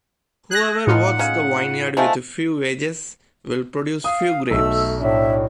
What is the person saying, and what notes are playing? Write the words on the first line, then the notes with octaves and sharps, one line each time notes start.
Whoever works the vineyard with few wages, will produce few grapes.
G#4 F#6 A#6
A2 D#4 F4 F#5
C#3
F3 G#3 A3
F5 D#6
B1 A3 E6
A2 D4 E5